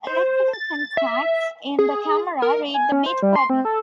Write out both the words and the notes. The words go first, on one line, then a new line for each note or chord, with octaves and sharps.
Electrical contacts in the camera read the bit pattern.
C5
A6
E5
G#4
A#4
G#5
C#4
C5
G3
C6
C4
A4